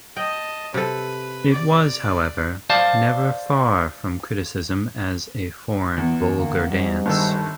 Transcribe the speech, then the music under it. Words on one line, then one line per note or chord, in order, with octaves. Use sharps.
It was, however, never far from criticism as a foreign, vulgar dance.
D#5 G5 A5
C3 A4 B4
D5
C5 D5 F5 A5
E2 B3
D3 A#3
G#2 G3
G1 D#3 E6